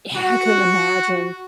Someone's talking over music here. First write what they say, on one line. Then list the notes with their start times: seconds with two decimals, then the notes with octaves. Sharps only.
Yeah, I couldn't imagine.
0.15 F#4